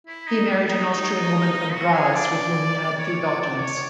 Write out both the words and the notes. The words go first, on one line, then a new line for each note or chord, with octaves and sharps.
He married an Austrian woman from Graz with whom he had two daughters.
E4
D#4
D4
E4
D#4
D#4
F#4
G#4
D5
C#5
D5
D5
C#5